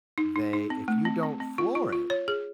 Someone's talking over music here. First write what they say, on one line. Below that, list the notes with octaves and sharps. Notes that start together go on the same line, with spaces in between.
they if you don't floor it
D#4
D#4
D#4
C4
A3
C4
C4
C4
F4
F4
F4
C#5
G#4